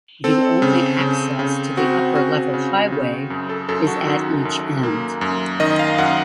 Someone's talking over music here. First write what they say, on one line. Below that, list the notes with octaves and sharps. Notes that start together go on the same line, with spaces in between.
The only access to the upper-level highway is at each end.
C4 A4
C#3
C#3
C#3
C4 F#4
C#3 F#4
C#3
C#3
F#2
A4
F#2 A4
F#4
D#3 F#4
F#2
A#3
F#2
D#3 D#5
F5
F#2 F#5